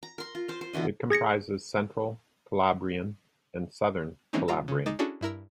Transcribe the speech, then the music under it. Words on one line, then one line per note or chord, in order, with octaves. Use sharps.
It comprises Central Calabrian and Southern Calabrian.
A#5
A#4 C6
F4
C5 F5
C5
B2 D3 E3 D#5
G#4 G#6 A#6 C#7
E3 G#3 A#3 C4 C#4 D#4
G3 F4 A#5 E6
C#3
G#3 D#4 D6 A6 E7
C#4 D4 E4 F#4 G#4 A4
G2 E4 A#4 E6